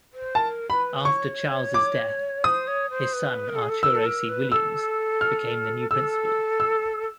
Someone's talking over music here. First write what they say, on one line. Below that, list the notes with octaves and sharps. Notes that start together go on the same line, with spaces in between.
After Charles' death, his son Arturo C. Williams became the new Principal.
C5
A#4 A5
B4 B5
C#5 C#6
D6
C5 D#6
C#5
C5
B4
A#4
A4
G#4
A4
A#4 E6
A4
A#4
B4
A4 E6
F6
A4 E6
E6